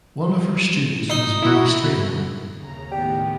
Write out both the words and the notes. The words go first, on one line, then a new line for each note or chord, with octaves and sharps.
One of her students was Billy Strayhorn.
D#4
E4 F#4
D#2 C#3 A#5
A2 D#3 B3 G4